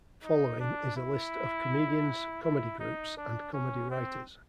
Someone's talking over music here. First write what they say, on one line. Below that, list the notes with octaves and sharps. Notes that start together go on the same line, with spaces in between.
Following is a list of comedians, comedy groups, and comedy writers.
D#4
D4
E4
E4
D#4
D4
C#4
C4